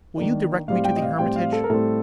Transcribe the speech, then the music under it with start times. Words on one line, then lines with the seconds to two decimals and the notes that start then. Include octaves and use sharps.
'Will you direct me to the Hermitage?
0.17 D#3 A#3 D4
0.68 A2 G3 C4 F5
0.85 G5
0.96 D#5
1.02 F5
1.19 A2 G3 C4 G5
1.36 F5
1.53 A4
1.64 A#4
1.70 A2 G3 C4 A4